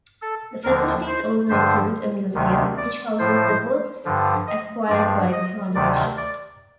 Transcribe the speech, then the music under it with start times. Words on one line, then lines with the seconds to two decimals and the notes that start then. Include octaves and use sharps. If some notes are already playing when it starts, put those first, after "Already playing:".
The facilities also include a museum, which houses the works acquired by the Foundation.
0.22 A4
0.64 D#2 D3 F3 A#4
1.07 C5
1.49 G2 D3 F3 C5
2.34 D2 C3 D#3
2.78 D5
3.19 A2 F3 C5
4.05 G2 D3 F3
4.48 D#5
4.89 G2 F3 D5
5.32 D#5
5.74 D2 C3 D#3 D5
6.17 D5